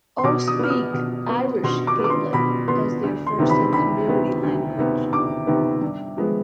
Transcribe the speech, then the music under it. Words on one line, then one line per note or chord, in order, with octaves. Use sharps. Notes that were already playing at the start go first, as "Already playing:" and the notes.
All speak Irish Gaelic as their first and community language.
C6
B2 D6
D#6
B3 F6
D#6
B2
B3
B2 C6
D6
B3
D6
C6
B2 B5
B3 C6
D2
C6
C3 D#3 B3
B5
D2 B5
C3 D#3 B3
D2
C3 D#3 B3
D2 D6
C3 D#3 B3
G2
F3 G#3 B3